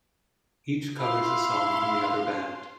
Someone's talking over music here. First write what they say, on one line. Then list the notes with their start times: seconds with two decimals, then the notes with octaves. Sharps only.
Each covers a song from the other band.
0.99 E4 F5 C6